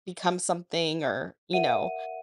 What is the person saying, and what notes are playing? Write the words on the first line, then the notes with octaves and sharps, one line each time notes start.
become something or, you know.
A#4 E5 F#5 D#7